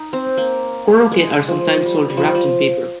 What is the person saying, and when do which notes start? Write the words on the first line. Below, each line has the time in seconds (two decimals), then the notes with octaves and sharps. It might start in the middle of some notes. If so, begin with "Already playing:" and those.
"Korokke" are sometimes sold wrapped in paper.
Already playing: D#4
0.13 C4
0.37 A#3
1.12 G#3
1.48 F3
1.85 G3
2.10 G3
2.17 F3
2.25 G3
2.35 F3